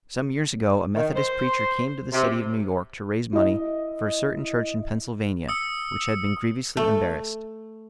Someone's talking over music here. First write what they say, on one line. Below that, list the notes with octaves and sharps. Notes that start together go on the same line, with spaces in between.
Some years ago a Methodist preacher came to the city of New York to raise money for a certain church in Pennsylvania which had been grievously embarrassed.
D#3
C5
C3
E4 D#5
D#6 E6 C#7
A3